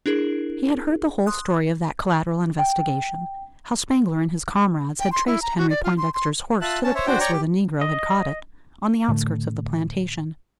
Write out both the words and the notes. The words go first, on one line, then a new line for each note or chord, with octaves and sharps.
He had heard the whole story of that collateral investigation--how Spangler and his comrades had traced Henry Poindexter's horse to the place where the negro had caught it--on the outskirts of the plantation.
D4 E4 G#4 A#4
C6 D#6 F#6
G5
G5
C6
E4
A#5
F#4
D5
F4
C6
C6
F4 E5 A5 F#6
C#4 A5
C5 C#5 E5
D4 F#4 C5 G5
C#5 D5 G5 A#5 C#6
G4
D#5
A2 D3 A3